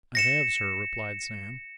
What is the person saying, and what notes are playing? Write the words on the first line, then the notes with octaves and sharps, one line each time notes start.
'I have, Sir,' replied Sam.
A#6 C#7 E7